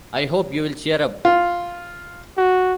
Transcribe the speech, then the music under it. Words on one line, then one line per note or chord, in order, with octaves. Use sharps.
I hope you'll cheer up.
F4
F#4